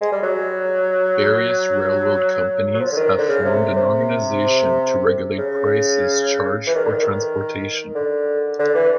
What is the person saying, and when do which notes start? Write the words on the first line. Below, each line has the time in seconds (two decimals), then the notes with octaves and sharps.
Various railroad companies had formed an organization to regulate prices charged for transportation.
0.01 G#3
0.12 G3
0.23 F#3
2.74 F#3
2.80 F3
2.92 D3
2.96 D#3
3.18 D3
3.29 C#3
3.45 C3
3.76 C3
5.38 C#3
6.67 E3
6.75 D#3
6.85 D3
6.92 D#3
7.95 D3
8.59 D3
8.75 E3